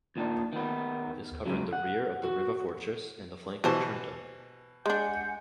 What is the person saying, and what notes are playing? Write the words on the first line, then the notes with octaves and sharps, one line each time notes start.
This covered the rear of the Riva fortress and the flank of Trento.
D#2 A#2 D#3 D4
D#3 B3
C#2 A2 C#3 F#3
F#5
F#4
B2 E3 G4 C5 A5
G#3 D4 F#5 G#5 G6